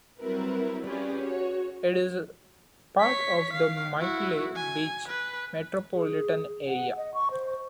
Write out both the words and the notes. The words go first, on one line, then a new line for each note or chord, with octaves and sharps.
It is part of the Myrtle Beach metropolitan area.
F#3 G3 C4 E4 A#4 B4
C#4 F4 G4 G#4 B4 D5
F#4 C#5
C#5 B6
F5
E4 F#4
G#5
B4
G#4
F#5
D#5
C#6
C5